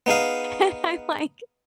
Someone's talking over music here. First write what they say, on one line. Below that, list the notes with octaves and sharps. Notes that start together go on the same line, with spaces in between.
and I'm like,
B3 D#4 G#4 F5